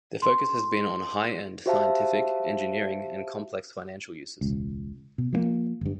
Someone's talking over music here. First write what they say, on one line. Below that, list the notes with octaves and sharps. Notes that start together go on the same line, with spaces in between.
Their focus has been on high-end scientific, engineering and complex financial uses.
C6
F#4 G4 C5 E5 F5 A5
E1 C#2
B2
F3 F#3 A#3
G1 G2